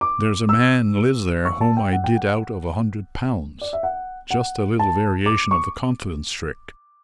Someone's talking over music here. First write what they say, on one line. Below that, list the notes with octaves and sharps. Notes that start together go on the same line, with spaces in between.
There's a man lives there whom I did out of a hundred pounds-- just a little variation of the confidence trick.
D6
E6
C#6
A5
G5
F#5
G5
F#5
D5
E5
F#5
F#5
A5
D6
C#6